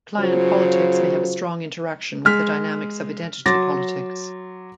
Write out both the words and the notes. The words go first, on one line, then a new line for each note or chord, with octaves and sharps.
Client politics may have a strong interaction with the dynamics of identity politics.
C#3 F#3 F4 C5
G#3 F6 B6
F#3 C6 D6 A6 A#6